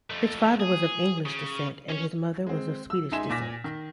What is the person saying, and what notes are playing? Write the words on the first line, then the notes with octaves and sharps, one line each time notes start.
His father was of English descent and his mother was of Swedish descent.
F2 A3
G#4
C#3
C#4 C#5
G#3 C4
E6
C#2 D#4 E5 G#5 C6 E7
A#2 G#5 D6 A#6 B6
D#3